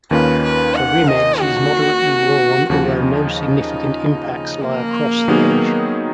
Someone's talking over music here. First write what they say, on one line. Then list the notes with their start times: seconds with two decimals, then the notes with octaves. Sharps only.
The rim edge is moderately worn, although no significant impacts lie across the edge.
0.11 D#2 D#3 A#3 C#4 F4 B4
0.44 B4
0.75 F#5
1.08 D#5
1.41 F#4
2.69 D#2 C#3 F3 F#4
3.01 D#4
4.62 A#3
5.28 D#3 F#3 B3 D#4 G#4